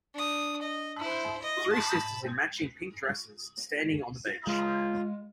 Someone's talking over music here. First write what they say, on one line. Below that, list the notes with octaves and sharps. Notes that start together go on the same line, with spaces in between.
Three sisters in matching pink dresses standing on the beach.
D4 D#6
D#5
E4 C5
D#5
A5 B5
G#3 F4